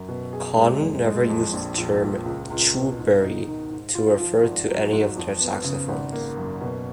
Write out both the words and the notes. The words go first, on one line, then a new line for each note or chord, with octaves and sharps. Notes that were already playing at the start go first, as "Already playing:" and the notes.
Conn never used the term "Chu Berry" to refer to any of their saxophones.
Already playing: F#2
B2
G#4
G#3
F#1
G#3
F2
A#1
A#1
A#2
C#2
C#2
B2
G#2
D#4
D#3
G#2
F4
F3
G#1
F#3
G#2
F2
B3
C#3
G#1
A#3
F#2
B2